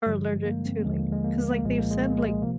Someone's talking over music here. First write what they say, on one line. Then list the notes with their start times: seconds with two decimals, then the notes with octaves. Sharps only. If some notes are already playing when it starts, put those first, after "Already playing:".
are allergic to, like 'cause, like, they've said, like
0.06 G2 D3 F3 G3
0.26 G#3
0.45 A#3
0.66 C4
0.84 D#2 D3 F3 G#3
0.99 A#3
1.12 G#3
1.24 A#3
1.37 G#3
1.52 A#3
1.63 C2 A#2 F3 G#3
1.78 A#3
1.91 G#3
2.04 A#3
2.18 G#3
2.42 C3 F3 A#3